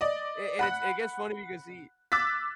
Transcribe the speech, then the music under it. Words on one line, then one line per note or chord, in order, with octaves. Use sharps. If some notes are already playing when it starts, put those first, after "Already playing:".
It it's it gets funny because he
D5 D#5
F#5 B5 F#6
D6 E6 F#6 A6 B6